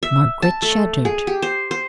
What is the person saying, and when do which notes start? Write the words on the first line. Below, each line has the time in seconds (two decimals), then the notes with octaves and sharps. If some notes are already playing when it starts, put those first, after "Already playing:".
Margaret shuddered.
0.03 E5
0.42 A5
0.62 A3
1.05 G#4
1.27 G4
1.42 C5
1.71 C5